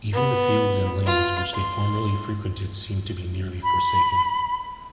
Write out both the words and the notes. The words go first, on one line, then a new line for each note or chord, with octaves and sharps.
Even the fields and lanes which they formerly frequented seem to be nearly forsaken.
B3
F4
C6
B5